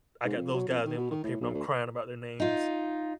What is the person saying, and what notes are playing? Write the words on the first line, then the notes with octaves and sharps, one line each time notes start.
I got those guys' name on the paper, and I'm crying about their names.
G#2
F2
F#3
F2
D#3
B2
D#3
A2
B1
D2
D#4 F4